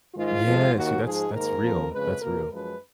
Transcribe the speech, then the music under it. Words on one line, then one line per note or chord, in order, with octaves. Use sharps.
Yeah, see, that's that's real, that's real.
G#2 D#3 G#3 F4
F2 F3 G#3
D#2 D#3 A#3 F#4
G#2 F3 G#3 G#4
G#2 D#3 A#3 A#4
F2 F3 A#3
F2 C#3 G#3 B4
B2 A#3 A#4
F#2 F3 G#3 B4